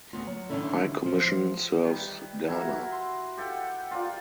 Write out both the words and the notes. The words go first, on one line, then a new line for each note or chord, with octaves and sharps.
High Commission serves Ghana.
D2 B3 F4
F#3
D3 D#3 C4 C#4 E4 A4
F3 C5
D#3 G3 B4 A5
E4 F#4 A#4
C6
G4 A4 F#5 G5
F4 A#4 D5